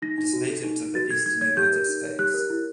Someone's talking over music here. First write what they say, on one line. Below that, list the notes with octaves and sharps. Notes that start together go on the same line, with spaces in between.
It is native to the eastern United States.
D#4 A#6
D#4
F#4
A4
D#4
D#4
F#4 A6
A4 G#6
D#4 G#6
C#5 G#6
G4 G6
A#4
D#4
C#5
G4 F#6
A#4
E4